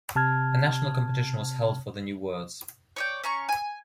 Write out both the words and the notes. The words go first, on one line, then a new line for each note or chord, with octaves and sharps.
A national competition was held for the new words.
C3 A5 F6 G#6
C#5 D5 G5
C#4 A#5 C#6
G#5